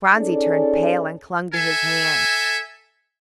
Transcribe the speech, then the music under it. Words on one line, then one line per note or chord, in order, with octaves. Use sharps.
Phronsie turned pale and clung to his hand.
C#4 D#4 G#4 A4 D5
A4 E5 G#5